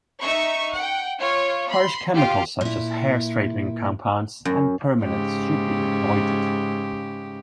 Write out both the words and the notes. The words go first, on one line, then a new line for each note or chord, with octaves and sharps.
Harsh chemicals such as hair straightening compounds and permanents should be avoided.
D#4 E5 C#6
F#5 G5
F4 C#5
B5 C6
F4 G4 F5
A#2 E4
F#2
G#2 C#3 G4